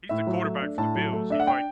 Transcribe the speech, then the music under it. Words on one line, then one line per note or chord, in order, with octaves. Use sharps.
He's the quarterback for the Bills. He's, like
A2 E5
F#3
A3
D4
A2 A5
F#3
A3
D4 E5
F#5
G5